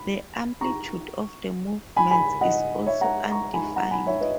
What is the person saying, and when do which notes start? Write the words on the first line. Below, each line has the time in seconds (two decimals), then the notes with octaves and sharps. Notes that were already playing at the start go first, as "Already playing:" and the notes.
The amplitude of the movements is also undefined.
Already playing: B5
0.61 A#5 C#6
1.96 G#5 B5
2.11 G#5 B5
2.41 D#5 F#5
2.86 C#5 E5
3.01 F#5 A#5
3.31 A#5 C#6
3.54 G#5 B5
3.76 F#5 A#5
3.91 G#5 B5
4.06 C#5 E5
4.21 B4 D#5